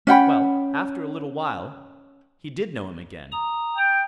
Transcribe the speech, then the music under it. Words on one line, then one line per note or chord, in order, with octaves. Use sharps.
Well, after a little while he did know him again.
C#4 F#5 G5 B5
A#5 D#6
G5